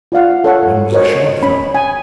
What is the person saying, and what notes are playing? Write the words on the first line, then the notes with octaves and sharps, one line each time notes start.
One was a short fellow.
F4 D5 F5 F#5
A4 C#5 F#5
F#4 A#4 C5 C#5 D#5
C#4 C#5 B5
G#5